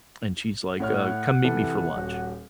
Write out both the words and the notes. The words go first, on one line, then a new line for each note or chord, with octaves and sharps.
and she's like, uh, "Come meet me for lunch"
A2 C#5 F#5 F6
C3 E3 A4
D#1 F#4